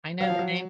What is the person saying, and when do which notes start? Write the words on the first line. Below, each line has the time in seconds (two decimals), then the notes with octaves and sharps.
I know the name
0.21 F#3 F5
0.30 F3
0.39 F#3